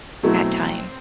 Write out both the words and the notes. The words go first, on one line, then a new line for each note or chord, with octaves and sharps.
at times.
B2 F#3 A3 C4 E4
C4